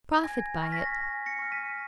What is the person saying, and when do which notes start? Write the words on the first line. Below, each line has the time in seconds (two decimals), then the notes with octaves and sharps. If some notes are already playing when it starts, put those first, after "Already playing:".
Profit by it.
0.19 G#6
0.24 G#5 A#6
0.62 C#6 F6 A#6
0.72 B6
0.82 A#6
1.01 G#5
1.26 A#6 C#7
1.39 C#6 F6
1.52 B6 D#7